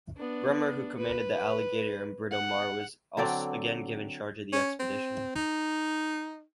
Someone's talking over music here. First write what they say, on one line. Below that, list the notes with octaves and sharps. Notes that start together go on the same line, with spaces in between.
Bremer, who commanded the "Alligator" and "Britomart", was again given charge of the expedition.
B3 D4
B4
F#5
D3 F#3 C4 D5
C#4
C4
D#4